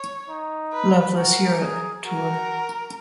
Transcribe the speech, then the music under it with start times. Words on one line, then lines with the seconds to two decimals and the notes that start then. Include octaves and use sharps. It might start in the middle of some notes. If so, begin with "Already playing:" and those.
Loveless Europe Tour.
Already playing: C#5
0.29 D#4
0.73 B4
1.17 F#4 A#4
1.61 G#4
2.05 F#4 A#4